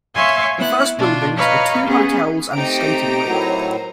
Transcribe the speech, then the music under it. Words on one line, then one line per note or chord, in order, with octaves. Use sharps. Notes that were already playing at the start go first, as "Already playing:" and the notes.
The first buildings were two hotels and a skating rink.
C#5 E5 F5 G#5 C6 C#6
B3 E4 F#6
B2 D4 F4
B4 C#5 D#5 F5 A#5 B5
B3 C#4 G#4
A3 C4 D#4 G4 A#5 D7
A2 F#3 A#4 C5